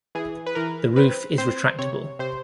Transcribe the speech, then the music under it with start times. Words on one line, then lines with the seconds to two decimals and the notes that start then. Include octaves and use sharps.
The roof is retractable.
0.15 E3 G#4
0.46 B4
0.55 E3 A#4
0.96 C4 B4
1.38 C4 C5
1.79 C3 C#5
2.19 C3 C5